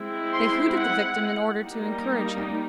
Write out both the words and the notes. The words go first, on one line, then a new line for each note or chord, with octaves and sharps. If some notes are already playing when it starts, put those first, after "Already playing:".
They hoot at the victim in order to encourage him.
Already playing: G#3 C4 E4
C6
F#5
G3 A#3 D#4